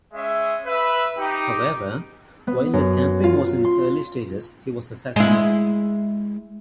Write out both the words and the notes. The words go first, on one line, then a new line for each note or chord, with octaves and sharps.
However, while this campaign was in its early stages, he was assassinated.
G#3 C#4 E5
B4 E5
D#4 G4
B3
F#2
F4
C6
G#3 E4